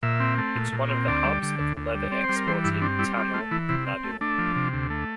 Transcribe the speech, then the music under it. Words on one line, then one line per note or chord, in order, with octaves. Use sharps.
It's one of the hubs of Leather exports in Tamil Nadu.
A#2 E5
C4
A3
A#2
A#2
C4
D2 D5
G3
D3
D2
D2
G3
C4 D5
C5
G3
A#4
E3 C5
G2 E4
C4 D4
G3 E4
C4 F4
A3 F4
E3 E4
C3 E4
C4
A3
A3 D4
F3
C3
D2
A3